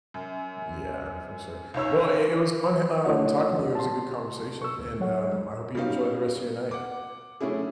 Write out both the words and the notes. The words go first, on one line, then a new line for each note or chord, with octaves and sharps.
Yeah, for sure. Well, it it was fun e um, talking to you. It was a good conversation, and, um, I hope you enjoy the rest of your night.
F#2
C#2 G#2 C#5 E6
A3 D4 E4 F#4 C#5 F#5
A5 C6
C#6 E6
D2
F#3 C#5 F#5
G3 C#4 D#4 F5
F#5 D6
F#3 A3 C#4 D4 E4 G#4